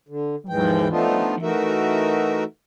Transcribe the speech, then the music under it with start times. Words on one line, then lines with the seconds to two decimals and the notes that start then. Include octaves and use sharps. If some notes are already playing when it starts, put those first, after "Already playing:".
Wow, okay.
0.08 D3
0.49 D#2 G#2 E3 G#3 G5
0.90 F3 A3 B3 D4 D#4 F4
1.42 E3 A3 D#4 F#4 A#4 E5